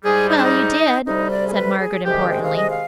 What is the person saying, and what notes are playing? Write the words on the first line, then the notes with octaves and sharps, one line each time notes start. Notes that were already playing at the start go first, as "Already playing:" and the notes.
"Well, you did," said Margaret importantly.
G#2 G3 G#4
D#4
D4
D#4
D2 C3 G3 D#4
D5
G#4
B4
G#4
D2 C3 D#3 G#3 G4
G5
F5
D#5
F5